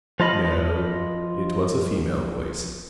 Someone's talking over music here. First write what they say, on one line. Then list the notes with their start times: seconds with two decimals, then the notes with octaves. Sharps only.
No, it was a female voice.
0.20 F3 F4 D#5 B5